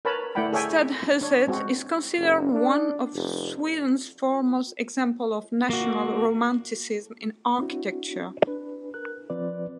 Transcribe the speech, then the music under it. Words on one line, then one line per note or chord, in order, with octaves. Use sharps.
Stadshuset is considered one of Sweden's foremost examples of national romanticism in architecture.
A#4 B4 C#5 A5 B5
A3 E4 D5 F#5 G5 B5
G#4 A4 C#5 E5 G5 G#5
D4 C#5
G#3 C4 F#4
F#1
D4
F1
A#3 F#4
C4 D4 E4 F#4
D4 B4
A#4 F#6
F3 C4 F4 B4 D5